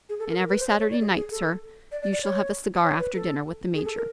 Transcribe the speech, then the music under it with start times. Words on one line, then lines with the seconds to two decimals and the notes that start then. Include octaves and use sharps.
And every Saturday night, sir, you shall have a cigar after dinner, with the Major.
0.09 G#4
0.20 A4
0.30 A#4
0.40 A#4
0.49 B4
0.60 C5
0.70 C#5
0.80 C#5
0.91 D5
1.01 G#4
1.16 G#4
1.31 A4
1.92 D5
2.02 D5
2.13 D5
2.23 C#5
2.84 C#5
2.99 B4
3.14 A4
3.75 G#4
3.85 A4
3.96 A#4